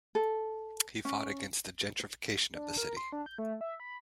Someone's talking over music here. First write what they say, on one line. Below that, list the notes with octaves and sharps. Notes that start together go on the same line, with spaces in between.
He fought against the gentrification of the city.
A4
C#4
D4
A#4
C6
D4
G6
A3
E5
B5